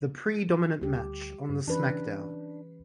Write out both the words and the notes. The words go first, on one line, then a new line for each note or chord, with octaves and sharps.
The predominant match on the SmackDown!
D2 G3 G4
G2
E3 C#4 D4 B4